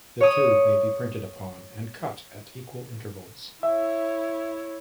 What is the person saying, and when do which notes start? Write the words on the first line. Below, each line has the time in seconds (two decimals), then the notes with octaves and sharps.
The tube may be printed upon, and cut at equal intervals.
0.21 C#5 D#6
3.63 E4 C#5 E5